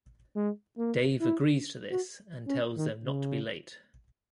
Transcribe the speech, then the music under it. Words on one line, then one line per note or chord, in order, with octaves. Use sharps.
Dave agrees to this, and tells them not to be late.
G#3
A#3
E4
F#4
C#4
D#3
C#3